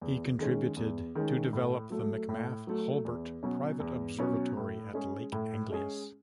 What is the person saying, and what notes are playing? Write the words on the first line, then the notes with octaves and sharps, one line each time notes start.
He contributed to develop the McMath-Hulbert private observatory at Lake Angelus.
E2
D#3 G#3 C#4
E2
D#3 G#3 C#4
A2
F#3 A3
A2
F#3 A3
E2
B2 F#3 C#4
E2
B2 F#3 C#4
A2
G#3 C#4 G#4
A2
G#3 C#4 G#4